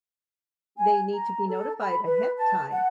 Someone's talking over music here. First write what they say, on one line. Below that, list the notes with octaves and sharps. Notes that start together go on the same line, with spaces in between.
They need to be notified ahead of time.
G#5
A#5
A4
B5
B4
A5
F#5